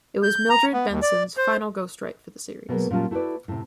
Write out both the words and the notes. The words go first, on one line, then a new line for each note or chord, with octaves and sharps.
It was Mildred Benson's final ghostwrite for the series.
G6
A#5
B3
D#2
D5
C5
B2 F#3 G#3 A#3 B3
A#2 F#3 G3 C#4 F4 A5
A3 E4 F#4 A4 B4 D5
A2 C3